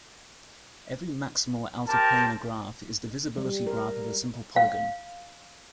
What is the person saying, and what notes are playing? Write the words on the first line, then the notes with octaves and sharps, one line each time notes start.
Every maximal outerplanar graph is the visibility graph of a simple polygon.
C4 G4 A#4 A5
G3
A#4
F5